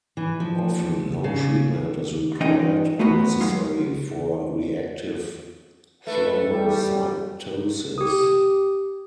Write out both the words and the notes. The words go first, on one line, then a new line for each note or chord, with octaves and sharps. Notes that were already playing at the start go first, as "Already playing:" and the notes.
Often, no treatment is required or necessary for reactive thrombocytosis.
E3
F3
C#3
E3 C#4 D#4 F4 D#5 G5
A3 B3 F4 F#4 A#4
F#3 G#3 F4
A3 B4
G3
G4 D#6